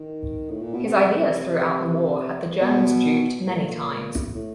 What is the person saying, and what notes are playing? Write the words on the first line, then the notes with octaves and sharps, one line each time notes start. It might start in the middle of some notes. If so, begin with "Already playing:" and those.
His ideas throughout the war had the Germans duped many times.
Already playing: D#3
A2
A#2
B2
C3
B2
A#2
A2